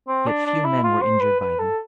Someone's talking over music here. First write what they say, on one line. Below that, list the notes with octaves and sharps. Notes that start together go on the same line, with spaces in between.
Yet few men were injured by them.
C4
D4
D4
E4
F4
C5
B4
B4
A4